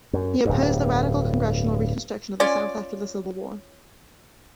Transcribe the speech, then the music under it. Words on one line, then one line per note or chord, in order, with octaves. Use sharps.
He opposed the radical congressional Reconstruction of the South after the Civil War.
F#2
D1 G2
C#4 F4 D5 G#5